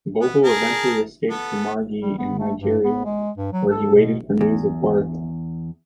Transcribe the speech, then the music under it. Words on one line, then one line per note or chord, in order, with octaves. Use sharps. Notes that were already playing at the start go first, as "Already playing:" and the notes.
Vogel eventually escaped to Marghi in Nigeria where he waited for news of Barth.
B3
G#4 A#4 A5
B3 A4
G3
B3
A3
G2
B3
G#3
G2
F#3
A4
B2
E2